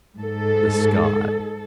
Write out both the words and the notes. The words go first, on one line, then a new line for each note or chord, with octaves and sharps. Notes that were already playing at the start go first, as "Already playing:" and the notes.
The sky.
G#2 A4